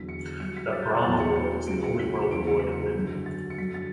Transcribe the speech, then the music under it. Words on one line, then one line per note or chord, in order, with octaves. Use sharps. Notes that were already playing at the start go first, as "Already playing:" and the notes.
The Brahma world is the only world devoid of women.
Already playing: E2 D3 F#3 B6
C#7
G2 F#3 C#7
B6
A6
G6
A6
E2 B2 F#3 A6
C#7
C#7
C#2 C#3 F#3 D7
C#7
B6
C#7
E2 C#3 F#3 D7
C#7
B6
C#7
F#2 D3 F#3
A6
C#7
F#2 D3 F#3 B6
A6